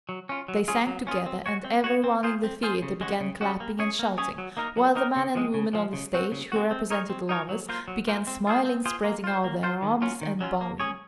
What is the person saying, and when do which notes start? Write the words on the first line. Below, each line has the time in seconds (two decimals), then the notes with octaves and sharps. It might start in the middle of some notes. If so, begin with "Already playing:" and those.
They sang together and everyone in the theater began clapping and shouting, while the man and woman on the stage--who represented lovers-- began smiling, spreading out their arms, and bowing.
0.09 F#3
0.29 C#4 F4
0.48 F#3
0.68 C#4 F4 G#4
0.87 F#3
1.07 C#4 F4 G#4
1.26 C4
1.46 F#4 C#5
1.64 C4
1.84 F#4 C#5
2.04 C4
2.23 F4 G#4 C5
2.44 C4
2.63 F4 G#4 C5
2.82 C#3
3.01 G#3 C#4 F#4
3.20 C#3
3.41 G#3 C#4 F#4
3.60 A#3
3.79 C#4 G#4 C#5
3.99 A#3
4.18 C#4 G#4 C#5
4.38 F#3
4.57 A#3 D#4 A#4
4.77 F#3
4.95 A#3 D#4 A#4
5.16 C#3
5.35 F3 G#3
5.54 C#3
5.73 F3 G#3
5.93 C#3
6.13 G#3 C4 F#4
6.32 C#3
6.52 G#3 C4 F#4
6.71 C4
6.90 D#4 A#4 C#5
7.10 C4
7.29 D#4 A#4 C#5
7.49 F#3
7.69 A#3 F4 C5
7.88 F#3
8.08 A#3 F4 C5
8.27 C4
8.47 F4 G#4 C5
8.65 C4
8.86 F4 G#4 C5
9.04 A#3
9.24 F4 C5
9.44 A#3
9.63 F4 C5
9.82 D#3
10.02 F#3 C#4 F4
10.21 D#3
10.41 F#3 C#4 F4
10.61 A#3
10.80 C#4 G#4 C#5